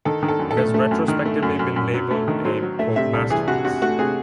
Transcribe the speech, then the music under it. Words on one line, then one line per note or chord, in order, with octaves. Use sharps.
It has retrospectively been labelled a "masterpiece".
D#3 A4
D#3
A4
F#2
A4
A3
A3
F#2
D#3
A3
F#2
F#2
F#2
F#3
A3 A4
D#3
F#3 C5
F#3
A3 E5
C3 E5
C2 A4
E3 G#4
C3 F#4
C3 F#4
A3 F#4
C3 G#4